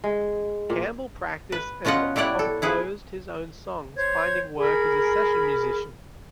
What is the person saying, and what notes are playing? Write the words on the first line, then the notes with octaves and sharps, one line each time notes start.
Campbell practiced, and composed his own songs, finding work as a session musician.
G#3
A#2
B4
B2 C#4 F4 D#5 F#5
G3 E4 C#5 D5 F#5
A4
E4 G#4 B4
C5 C#5 G#6
G#4 A#4 B5